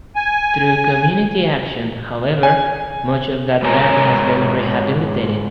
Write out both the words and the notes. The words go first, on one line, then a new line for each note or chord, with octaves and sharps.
Through community action however, much of that land has been rehabilitated.
G#5
G#5
G#2 B3 A#4 C#5 G#5 A#5